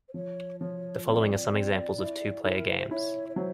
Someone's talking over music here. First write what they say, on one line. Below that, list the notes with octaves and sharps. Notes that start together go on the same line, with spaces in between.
The following are some examples of two-player games.
C5
F3 C#5
F3 C#5
C4 D5
C4
E4
E4 A4
A#4
B4
C5
E4 C#5
C#5
F#3 C5